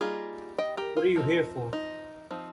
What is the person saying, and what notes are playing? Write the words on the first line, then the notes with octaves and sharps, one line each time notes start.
What are you here for?
G3 A#3 D#4 F4 G#4
D#5 G5
G4 A#4
F4
F3 C4 D#4
D#4
F3 C4 D#4